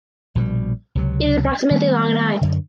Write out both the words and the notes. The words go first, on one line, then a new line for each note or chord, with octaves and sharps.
It is approximately long and high.
A#1 B2 F3 G3
C#2 C3 F#3
D#3 G3 A3 B3
F#2 D3